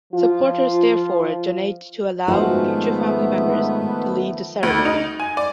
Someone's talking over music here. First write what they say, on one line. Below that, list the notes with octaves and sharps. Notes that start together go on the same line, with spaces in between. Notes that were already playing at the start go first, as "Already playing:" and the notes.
Supporters therefore donate to allow future family members to lead the ceremony.
F3 F4
G#2 D#3 F3 A3 B3 F#4
D2
D#4
G#5
D5